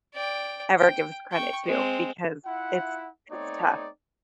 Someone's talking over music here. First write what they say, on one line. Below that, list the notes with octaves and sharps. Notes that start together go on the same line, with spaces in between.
ever gives credit to, because it's it's tough.
D5 G5
G5
G5 C#6
G#3 C4
E4 F4 E5 F#5
A3 B3 C4 D#4 C#5 D5